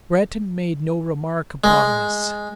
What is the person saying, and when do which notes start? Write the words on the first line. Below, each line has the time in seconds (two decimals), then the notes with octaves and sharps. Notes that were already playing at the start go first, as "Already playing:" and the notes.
Breton made no remark upon this.
1.64 G#3